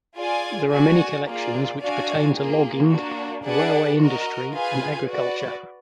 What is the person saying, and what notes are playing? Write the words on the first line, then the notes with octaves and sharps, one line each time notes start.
There are many collections which pertain to logging, the railway industry and agriculture.
F4 G#4 D5 G#5
F#4 D5 G#5
A#3 F4 G#4 D5
D4 F#4 D5 F5 G#5
A#3 F4 G#4
A#3 D4 F#4
D4 G#4 B4 D5 F#5
F#4 A#4 D#5
F4 G#4 B4 F5 G#5
F#4 B4 D5